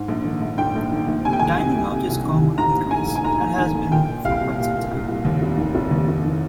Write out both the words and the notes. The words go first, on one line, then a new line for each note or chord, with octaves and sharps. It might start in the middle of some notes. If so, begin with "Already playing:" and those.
Dining out is common in Greece, and has been for quite some time.
Already playing: G#2
A#1
D#3
A#1
G#2 G5
A#1
D#3
A#1
C3 G#5
G5
C2 G#5
D#3
C2
C3
C2
D#3
C2
G#2 A#5
A#1
D#3 G#5
A#1
G#5
G#2 A#5
A#1
D#3 G#5
A#1
A#2 G5
A#2
C2 F5
C2
A#2
A#2
C2
C2
D#2
F1
D#3
F1
D#2
F1
D#3